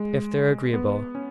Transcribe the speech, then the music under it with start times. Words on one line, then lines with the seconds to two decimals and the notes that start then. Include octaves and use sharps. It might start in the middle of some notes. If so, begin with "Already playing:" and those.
"If they're agreeable."
Already playing: G#3
0.74 B3
1.15 C#4